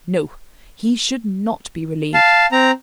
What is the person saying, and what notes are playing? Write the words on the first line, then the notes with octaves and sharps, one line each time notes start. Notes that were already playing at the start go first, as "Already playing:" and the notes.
No! he should not be relieved.
F5 A5
C4 A#5